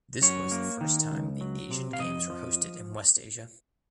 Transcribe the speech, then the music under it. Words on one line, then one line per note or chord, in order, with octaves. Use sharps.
This was the first time the Asian Games were hosted in West Asia.
F#2 C#5
A#3
D#3
C#2
F#3
C3
F5
F2 D#5
F3